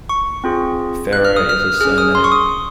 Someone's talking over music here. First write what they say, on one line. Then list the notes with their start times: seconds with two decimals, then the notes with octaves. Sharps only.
Farrow is a surname.
0.09 C#6
0.44 C4 F4 G#4
1.13 F#6
1.25 F6
1.36 D#6
1.49 F6
1.81 G#4 F6
1.85 C#4
1.98 D#6
2.15 C6
2.24 C#6
2.32 D#6